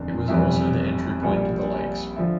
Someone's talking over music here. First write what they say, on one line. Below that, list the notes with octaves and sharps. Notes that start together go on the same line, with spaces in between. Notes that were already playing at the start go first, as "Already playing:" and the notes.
It was also the entry point to the lakes.
Already playing: F1 E2 D3
G1 F2 E3 G3 E5
A#1 A#2 G3
D3 F3 E5